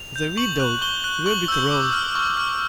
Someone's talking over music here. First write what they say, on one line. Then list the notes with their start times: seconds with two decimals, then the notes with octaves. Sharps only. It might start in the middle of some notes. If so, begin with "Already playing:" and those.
The widowed were betrothed.
Already playing: F7
0.16 G6
0.37 C#6 F#7
0.60 F#6
0.81 C#6 G7
1.04 F#6
1.26 C#6 F#7
1.48 E6 G6
1.71 D6
1.93 F6
2.15 C#6
2.37 F6